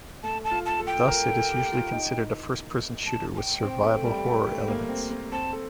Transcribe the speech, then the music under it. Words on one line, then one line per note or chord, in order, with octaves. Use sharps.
Thus, it is usually considered a first-person shooter with survival horror elements.
A3 A5
A5
F4
A5
A4
G5
A#4
A4
G4
F4
D#4
A5
A5
G5
C4
A3
G3
A3
A3
A#3
C4
A#3
C4 A5
A4